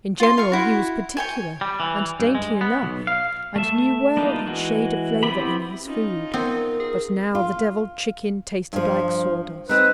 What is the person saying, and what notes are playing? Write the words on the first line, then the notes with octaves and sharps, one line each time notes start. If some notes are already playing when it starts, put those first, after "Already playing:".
In general, he was particular and dainty enough, and knew well each shade of flavour in his food, but now the devilled chicken tasted like sawdust.
F4 C6
F5 C#6
E4 F#4
C#5 G5 G#5
G3
E3
G2
G#3
B3
B1
F5
A3 E5
A#3 B3 D4 D#4 F4
E3 G#3 F#4
B3 C4 E4 G4 B5
C#4 D#4 F4
B3 C4 A#4
G#4
F4
G2 F3
C4 D#4 B4